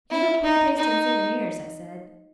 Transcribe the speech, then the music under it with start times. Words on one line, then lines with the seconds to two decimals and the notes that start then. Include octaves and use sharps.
'You've a queer taste in souvenirs,' I said.
0.10 E4
0.44 D#4
0.78 D#4